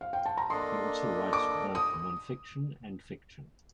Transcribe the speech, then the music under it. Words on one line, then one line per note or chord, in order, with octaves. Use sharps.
He also writes both non fiction and fiction.
F5
G5
A5
A#5
A#3 D4 A4 D#5 C6
D6
D#6